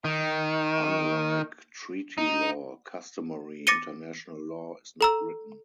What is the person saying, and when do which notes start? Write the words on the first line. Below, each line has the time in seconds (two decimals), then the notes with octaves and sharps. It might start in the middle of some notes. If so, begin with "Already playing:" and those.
Unlike treaty law, customary international law is not written.
0.05 D#3
2.18 D#4
3.67 D6 A6 A#6 C#7 D#7 G7
5.01 A4 A#5 E6